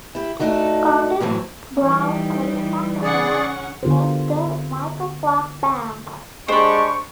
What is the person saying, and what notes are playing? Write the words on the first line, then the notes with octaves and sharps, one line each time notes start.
Curtis Brown plays saxophone in the Michael Clark Band.
E4 G4
A3 D4 D#4 F#4 A4
F#2 A2 E3 F#3 C4
E3 G3 D#4 G4
C#3 C#4 G#4 D5 F#5 C#6
D3 B3 F4 G4 A#4 C5
G#3 D4 G4 C5 B5 C#6